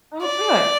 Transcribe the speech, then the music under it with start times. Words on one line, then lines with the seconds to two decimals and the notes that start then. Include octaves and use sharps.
Oh, good.
0.23 D5